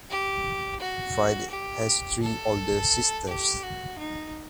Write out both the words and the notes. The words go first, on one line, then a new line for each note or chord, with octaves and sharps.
Friedl has three older sisters.
G4
F#4
G4
A4
G4
F#4
D#4